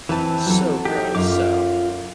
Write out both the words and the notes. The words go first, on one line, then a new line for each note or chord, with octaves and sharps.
So gross, so
E3 C4 B4 E5 A5
F#3 A4
D#4 G4
F#2 F4 C#5 D6